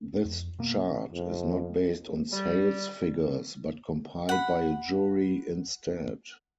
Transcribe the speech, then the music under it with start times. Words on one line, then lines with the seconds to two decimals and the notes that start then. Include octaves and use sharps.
This chart is not based on sales figures but compiled by a jury instead.
0.25 F2
0.59 B2 A#3 B3
1.13 F2
2.31 G3
4.29 F#5 B5